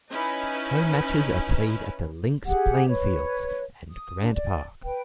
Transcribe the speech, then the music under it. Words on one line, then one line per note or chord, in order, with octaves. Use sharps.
Home matches are played at the Links Playing Fields and Grant Park.
C#4 D#4 E4 B4
G4 G#4 F#5
B4 C#5
D#6
D4
D5
B4 G5